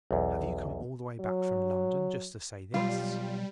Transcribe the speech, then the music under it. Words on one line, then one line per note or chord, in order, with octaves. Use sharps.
'Have you come all the way back from London just to say this?'
B1 E2
F#3
B1 G3 F4